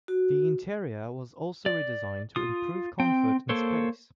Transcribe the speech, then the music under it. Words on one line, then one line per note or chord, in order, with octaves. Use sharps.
The interior was also redesigned to improve comfort and space.
F#4
D5
F4 D#6
C4 G5
A#3 A4 C5 C#5